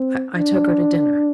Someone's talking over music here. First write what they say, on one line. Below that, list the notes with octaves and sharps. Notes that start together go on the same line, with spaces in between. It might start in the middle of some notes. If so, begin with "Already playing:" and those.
I took her to dinner.
Already playing: C4
D4